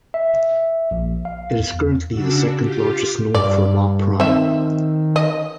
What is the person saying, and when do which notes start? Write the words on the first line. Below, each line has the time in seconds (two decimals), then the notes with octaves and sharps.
It is currently the second largest known Fermat prime.
0.14 E5
0.91 A#1
1.25 F5
1.59 E2
2.11 C#3 D4 F#4 E6
2.57 F4 G4
3.35 G2 D5
4.20 D#3 C4 E5
5.16 D#5